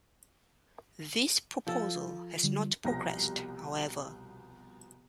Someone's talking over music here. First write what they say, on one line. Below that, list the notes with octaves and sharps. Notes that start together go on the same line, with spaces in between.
This proposal has not progressed, however.
F3 A4
D3 G3
C2 B2 F3 G4 A#5 A#6